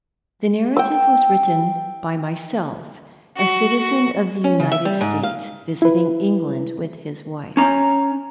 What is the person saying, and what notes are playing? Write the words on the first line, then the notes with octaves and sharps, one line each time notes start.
The narrative was written by myself--a citizen of the United States, visiting England with his wife.
G5 E6
F#4
F#4
C#4
C#3
E5
G3
G#2
F5
E4 B4
C#4 A#5